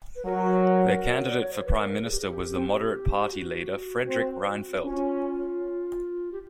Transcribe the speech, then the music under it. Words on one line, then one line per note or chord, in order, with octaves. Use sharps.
Their candidate for Prime Minister was the Moderate Party leader, Fredrik Reinfeldt.
B4
F#3 A#4
D5
C#5
C5
B4
A#4
G#4
G4
G#4
G4
C4
F#4
C4
F#4
C#4 F4
G4